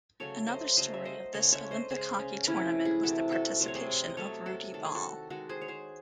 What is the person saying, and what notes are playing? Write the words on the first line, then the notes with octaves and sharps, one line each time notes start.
Another story of this Olympic hockey tournament was the participation of Rudi Ball.
C#3 F#3 A3 A4 C#5
C5 D#5
C#3 F#3 A3 C5 D#5
E5
C5 D#5
C#3 G#3 A4 C#5
C#5 E5
C5 D#5
C#3 G#3 G#4 C5
C#4
C3 E3 A3 C#4 E4
E4 G#4
C3 E3 A3 F#4 A4
F#4 A4
C3 F#3 A3 C5
C#5
G#4 C5
D#5
C3 F#3 A3 A4 C#5
F#4 A4
D#3 G#3 A4
G#4
F#4 A4
D#3 G#3 F#4 A4
G#4 C5
C#5
G#4 C5